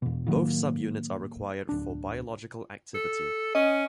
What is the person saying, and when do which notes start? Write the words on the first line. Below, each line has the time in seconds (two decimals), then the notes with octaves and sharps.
Both subunits are required for biological activity.
0.02 E2 B2
0.26 A2 D#3 F#3 A#3
1.69 D1 D4
2.94 A4
3.55 C#4 D#5